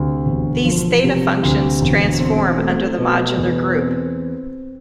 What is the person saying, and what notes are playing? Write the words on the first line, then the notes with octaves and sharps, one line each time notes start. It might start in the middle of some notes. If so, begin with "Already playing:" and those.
These theta functions transform under the modular group.
Already playing: D2 C3
E1
F3
C3
D2
E1
C4
A3
B2
E2
C4